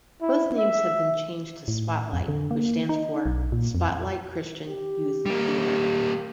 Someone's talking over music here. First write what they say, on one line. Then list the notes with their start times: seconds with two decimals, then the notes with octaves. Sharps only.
Both names have been changed to Spotlight which stands for Spotlight Christian Youth Theatre.
0.21 E4
0.58 E5
1.68 A2
2.13 F2
2.28 D3
2.51 A#3
2.89 D#4
3.26 B1
3.52 A#2
3.75 F2
4.68 G4
5.26 G3 A#3